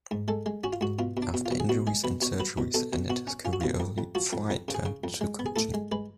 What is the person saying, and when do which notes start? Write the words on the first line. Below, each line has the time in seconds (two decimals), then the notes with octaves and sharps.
After injuries and surgeries ended his career early, Frye turned to coaching.
0.11 G#2
0.28 G#3 A4
0.46 G#3
0.64 C#4 F#4
0.73 F4
0.81 G#2 F#4
0.99 B2 F4
1.17 B2
1.22 D4
1.34 B2
1.46 F4
1.51 B2
1.60 G#4
1.69 B2 F#4
1.87 G#3 G#4
2.04 B2 B4
2.22 B2 C#5
2.40 F#3 B4
2.57 B2
2.74 B2 A4
2.93 B2
3.10 B2 F#4
3.27 C#4
3.45 C#4 F4
3.53 F#4
3.61 B2 F4
3.80 F2
3.98 F2
4.15 F3 F#4
4.33 F2
4.50 F2
4.68 C#3
4.75 G#4
4.85 C#3
5.04 F2
5.21 G#3
5.39 B3
5.46 G#4
5.56 A2 A4
5.74 G#3
5.92 G#3 B4